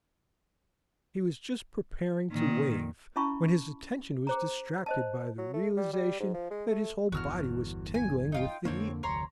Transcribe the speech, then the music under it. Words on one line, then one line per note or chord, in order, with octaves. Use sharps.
He was just preparing to wave when his attention was distracted by the realization that his whole body was tingling with the heat.
A#2 D#3
C#4 E4 E5 A5 B5 C#6
G#4 C5 A#5
C5 D#5 A5
F#3
A3
G3
G3
G#2
F3
G#3
A3
G1 E2 F#4 E6 F6
G#5
D#4 F4 G5
F2 D3 A#3 C4 C#5
F1 D2 C#5 A#5 C6